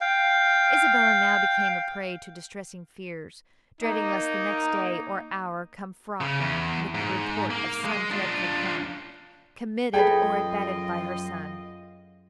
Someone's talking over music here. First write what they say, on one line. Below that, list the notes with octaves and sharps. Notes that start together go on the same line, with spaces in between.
Isabella now became a prey to distressing fears, dreading lest the next day or hour come fraught with the report of some dreadful crime, committed or abetted by her son.
F5 G5
A#3 D#4
C#3
E2
G#2
A#3
G#3
D4 F4
F#2 F4 G#4 A4 B4 D#5 G5